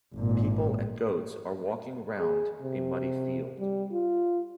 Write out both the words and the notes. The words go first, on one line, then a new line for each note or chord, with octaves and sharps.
People and goats are walking around a muddy field.
G#1 A#2
G#4
C3
G3
F4